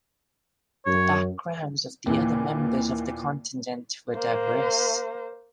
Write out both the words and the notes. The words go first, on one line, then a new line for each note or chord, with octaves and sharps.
The backgrounds of the other members of the contingent were diverse.
F#2 C#5
D#2 A#2 E3
A#3 C5